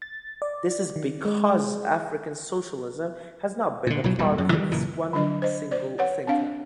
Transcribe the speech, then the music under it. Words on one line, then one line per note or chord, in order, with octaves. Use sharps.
This is because African socialism has not been the product of one single thinker.
A6
D5
D#3
G#3
A#2 D3
B1 A2 F#3
D#1 A#2 G3
F#2
D#3 E3 G3
F#1 A#2 E3
D3 F#3 D4 D#5
C5 D#5
C5 D5
B4 C#5 F#5
C4 D4 F5